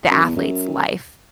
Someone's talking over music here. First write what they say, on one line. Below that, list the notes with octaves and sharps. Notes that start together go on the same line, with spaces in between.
the athlete's life.
F#2
E2
F#2